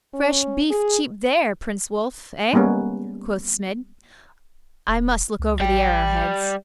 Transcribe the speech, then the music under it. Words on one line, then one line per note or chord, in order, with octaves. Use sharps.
'Fresh beef cheap there, Prince Wulf, eh?' quoth Smid; 'I must look over the arrow-heads.'
C#4
G#4
G3 G#3 A#3 B3 C#4
D#1
C#2
A1 G3 G5